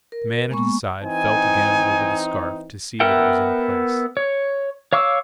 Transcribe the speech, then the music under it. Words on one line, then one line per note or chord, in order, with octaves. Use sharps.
The man at his side felt again over the scarf to see that it was in place.
A#4
G#3 A#3 B3 C#6
E3 C4 D#4 G#5
B3 A#4 E5 F#5 G5
C#5
C#5 F5 C#6 D6 E6